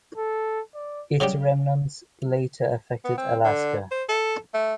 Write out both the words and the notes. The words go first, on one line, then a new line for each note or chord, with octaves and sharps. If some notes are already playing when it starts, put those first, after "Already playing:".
Its remnants later affected Alaska.
A4
D5
C#3 F#3 G3 G4
B3
C4
D3
C5
A4
A3